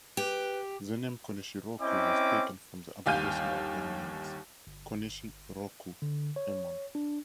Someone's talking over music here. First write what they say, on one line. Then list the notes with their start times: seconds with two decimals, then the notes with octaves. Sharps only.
The name Konishiroku was taken from the abbreviation of their names, "Konishi Roku"emon.
0.17 G4 B4
1.81 C4 C#4 E4 D#5 G5 D6
3.06 G1 D#2 F5 G#5 G6 D#7
4.67 G1
6.02 D3
6.36 C#5
6.95 D4